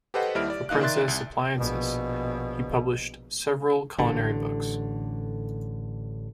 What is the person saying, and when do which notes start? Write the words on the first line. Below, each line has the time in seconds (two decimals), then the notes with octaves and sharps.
For Princess Appliances he published several culinary books.
0.14 G4 A4 B4 C5 D#5 F#5
0.35 D#2 G3 E4 F6 D7
0.50 D5
0.69 A#2 D#4 F5 F#6
0.81 D#3 D5 E5 C6 F#6 A6
1.08 C2
1.57 A#1 B2
3.98 A1 D3